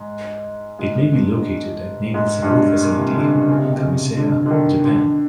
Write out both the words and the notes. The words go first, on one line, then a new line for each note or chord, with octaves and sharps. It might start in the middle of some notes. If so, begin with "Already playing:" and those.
It may be located at Naval Support Facility Kamiseya, Japan.
Already playing: G#2
G#2
G2
G#2
G2
G#2
A#2
C3
D3
C#3
C#3
C3
B2
C3
C#3
D3
D3
D#3
D3